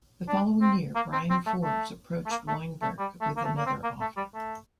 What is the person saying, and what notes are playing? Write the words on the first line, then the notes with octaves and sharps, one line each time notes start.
The following year, Brian Forbes approached Weinberg with another offer.
D4
C4
A#3
C4
C4
A3
A3
A3
A#3
A3
A3
G3
A3
A#3
A3
A#3
C4
A#3
A3
G3
A3